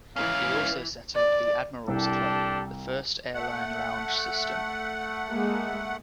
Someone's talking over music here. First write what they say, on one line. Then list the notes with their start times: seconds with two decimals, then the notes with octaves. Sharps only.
He also set up the Admirals Club, the first airline lounge system.
0.16 G#2 E3 C#4 F5
1.15 D5
1.88 C2 D4 G4 A4
3.34 A3 F#5
5.30 G#3 A#3